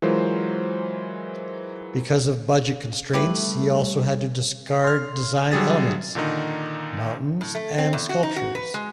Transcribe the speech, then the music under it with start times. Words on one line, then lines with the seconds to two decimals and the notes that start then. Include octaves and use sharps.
Because of budget constraints, he also had to discard design elements: mountains and sculptures.
0.02 E3 F#3 G#3 F4 A#4 C5
3.13 G3 A3 E4 G4 B4
4.84 C6 F6
5.52 D3 F#3 G3 G#4 A6
6.15 A#2 D3 D#3 D#4
7.41 A2
7.55 A3
7.78 C4
7.93 E2
8.09 F#4
8.23 D#4
8.36 F#4
8.55 B4
8.74 G#3